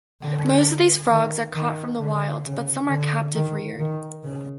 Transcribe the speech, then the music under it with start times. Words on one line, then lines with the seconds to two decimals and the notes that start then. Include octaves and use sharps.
Most of these frogs are caught from the wild, but some are captive-reared.
0.21 D3
1.11 D#3
1.55 D#3
2.00 D3
2.44 C#3
2.89 D3
3.34 D#3
3.79 D#3
4.23 C#3